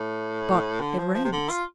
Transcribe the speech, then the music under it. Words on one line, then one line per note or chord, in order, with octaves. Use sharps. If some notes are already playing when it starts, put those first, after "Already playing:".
"But it rains."
Already playing: A2
D3
F3
F3
C3
D3
F4